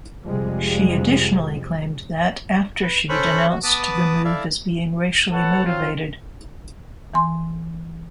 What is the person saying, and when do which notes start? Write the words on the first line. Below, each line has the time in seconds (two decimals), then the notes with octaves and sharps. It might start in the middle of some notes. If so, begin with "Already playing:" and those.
She additionally claimed that after she denounced the move as being racially motivated.
0.23 F2 C3 F3 G3 G#3
2.82 B4
3.09 C#4 A4 C5 B5 C#6 F#6
3.49 F#4
3.64 B3 B4 A5 D6 D#6
4.25 E4 A4 D5 E5 F5
5.31 A4 B4 C#5 F#5 A5
5.65 F#3 C4 F4
7.14 E3 G#5 C6